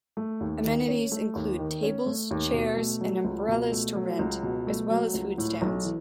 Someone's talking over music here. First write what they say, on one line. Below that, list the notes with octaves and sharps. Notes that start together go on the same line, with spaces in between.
Amenities include tables, chairs and umbrellas to rent, as well as food stands.
A3
D#2
D#3
C#4
A3
D#2
D#3
C#4
A3
D#2
B2
A3
F#3
C#2
B2
A3
F#3
C#2
B2
A3
F#3
C#2
A2
B1
E3